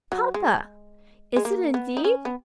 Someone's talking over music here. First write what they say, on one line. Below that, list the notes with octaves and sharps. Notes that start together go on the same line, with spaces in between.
"Papa! is it indeed?"
F#3
G#3
G#3
A#3
B3
D#4
C#4
B3